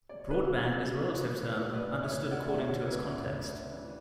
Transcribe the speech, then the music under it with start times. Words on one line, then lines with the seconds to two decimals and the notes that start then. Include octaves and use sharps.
"Broadband" is a relative term, understood according to its context.
0.09 D5
0.20 C#5
0.30 D2 B4
0.73 C#3 G3 D4
1.17 D2
1.46 B4
1.60 C#3 G3 D4
1.73 B4 D5
2.02 D2 C#5 E5
2.31 D5 F#5
2.45 D3 A3 F#5
2.60 C#5 E5
2.88 D2 B4 D5
3.31 D3 A3
3.74 A1